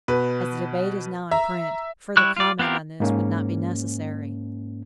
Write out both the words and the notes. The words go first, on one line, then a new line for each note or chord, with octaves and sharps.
As the debate is now in print, further comment on this would not be necessary.
B2 B4
E5 A#5
G3 E4 C#6 F#6
F4 D5
B3 C4 F4 G4 A#4
G#2 A#3 C#4